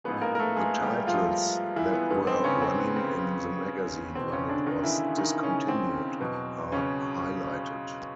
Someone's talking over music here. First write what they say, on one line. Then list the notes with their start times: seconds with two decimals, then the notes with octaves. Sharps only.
The titles that were running in the magazine when it was discontinued are highlighted.
0.04 A1 G#2 F3 G#3 B3 B4
0.21 A#3 A#4
0.35 A#4
0.39 A3 A4
0.56 G#3 G#4
0.82 G3 G4
1.07 F3 F4
1.76 E3 E4
1.93 B3
2.10 A1 G2 D#3 G#3 B3
2.27 C4
2.44 C#3 C#4
2.62 C4
2.78 B3
2.96 C4
4.15 E1 E2 B2 C4
4.32 C#3 C#4
4.49 D3 D4
4.66 D#3 D#4
4.83 E3 E4
5.18 D#3 D#4
5.43 C#3 C#4
5.68 C4
6.21 E2 B2 F#3
6.72 C#3 C#4